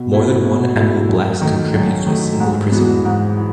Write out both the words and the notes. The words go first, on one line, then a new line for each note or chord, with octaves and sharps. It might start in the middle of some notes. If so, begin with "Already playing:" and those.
More than one ameloblast contributes to a single prism.
Already playing: B2
A3 E4
B2
A3 E4
F#2
D#3 A3
F#2
D#3 A3
G#2
E3 G#3 B3 F#4
G#2
E3